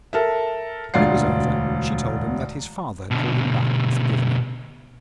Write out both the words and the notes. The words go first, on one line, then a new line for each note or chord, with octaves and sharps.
When it was over, she told him that his father had called him back and forgiven him.
A4 A#4 E5
E1 D2 F4 D5 C7
B2 D3